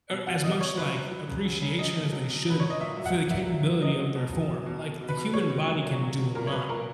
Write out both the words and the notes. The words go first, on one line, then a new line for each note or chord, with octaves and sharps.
or as much, like, appreciation as they should for the capability of their form, like the human body can do a lot,
B2
B2 F#5
B2 D#5
B2 C#5
F#3 B4
F#3
F#3
C#3
F#3
C#3
F#3 D#5
B2
F#3
B2
F#3 B4
F#3 C#5
D#5
A#2 E5
F#3
F#5
F#3
A#2 E5
F#3
F#3
F#3 D#5
F#3
B2
F#3
F#3
B2
B2
B2
B4
B2
B2 C#5
B2
F#3
A#2
F#3
F#3
A#2 A#4
C#5
F#3 B4
A#2 A#4